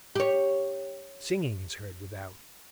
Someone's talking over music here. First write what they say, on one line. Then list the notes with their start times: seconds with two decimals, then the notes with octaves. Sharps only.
Singing is heard without.
0.15 G4 C#5